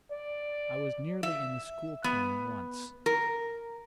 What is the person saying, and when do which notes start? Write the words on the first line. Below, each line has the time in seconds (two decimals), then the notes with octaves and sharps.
I was nearly in the school team once.
0.11 D5
1.23 E5
2.04 B3
3.06 A#4